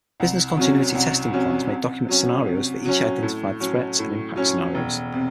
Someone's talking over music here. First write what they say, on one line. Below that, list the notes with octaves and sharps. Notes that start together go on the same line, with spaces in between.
Business continuity testing plans may document scenarios for each identified threats and impact scenarios.
C2
C3 F#3 C#4
C2
C3 F#3 C#4
C3
F#3 C#4
C3
F#3 C#4
A2
F#3 C#4
A2
F#3 C#4
E1
C3